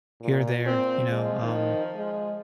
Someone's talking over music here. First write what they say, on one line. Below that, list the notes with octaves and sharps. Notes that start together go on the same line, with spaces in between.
here or there, you know, um,
A#2
A#2 C4
F3 G#3
D#3
G#3